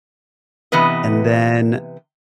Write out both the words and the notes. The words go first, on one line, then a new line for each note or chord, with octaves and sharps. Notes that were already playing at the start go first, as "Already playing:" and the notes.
And then,
C3 E3 B3 B4 D#5